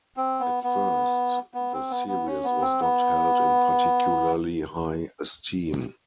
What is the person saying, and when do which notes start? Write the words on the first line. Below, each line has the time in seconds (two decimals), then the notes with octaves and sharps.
At first the series was not held in particularly high esteem.
0.17 C4
0.40 B3
0.64 B3
1.54 B3
1.73 C4
1.90 B3
2.08 B3
2.27 C#4
2.44 B3
2.62 C4
2.81 B3